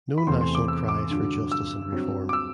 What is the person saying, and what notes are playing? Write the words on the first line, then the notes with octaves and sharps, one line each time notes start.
No national cries for justice and reform.
B5
E2 C3 E3 A3 C4 C6
C6
D6
E6
D6
G2 D3 F#3
E6
G2 F#3 C4
D6
E6